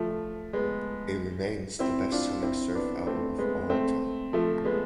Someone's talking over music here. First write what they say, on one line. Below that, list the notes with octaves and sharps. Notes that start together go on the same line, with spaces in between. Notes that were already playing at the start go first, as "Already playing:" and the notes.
It remains the best selling surf album of all time.
Already playing: F3 A3
G#3 B3
C4 E4
D4 F4
C4 E4
B3 D4
A3 C4
G#3 B3
A3 C4
F3 A3
G#3 B3